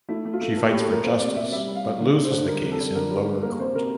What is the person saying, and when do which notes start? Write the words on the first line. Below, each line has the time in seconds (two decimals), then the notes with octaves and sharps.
She fights for justice but loses the case in lower court.
0.09 A3 E4
0.25 A3
0.33 F4
0.41 A3
0.57 A#3 A4
0.69 G4
0.72 A2
0.81 A4
0.88 A2 A#4
1.04 A#3 C5
1.20 C3 D5
1.36 C3 E5
1.52 G3 E5
1.67 G3
1.75 F5
1.84 G3
2.00 D3
2.15 D3
2.24 C5
2.31 D3
2.48 G3 A#4
2.64 C3
2.72 A4
2.80 G3
2.95 D3 A#4
3.11 G3
3.27 G3
3.43 A#3 A#4
3.59 C3 C5
3.75 C3 A#4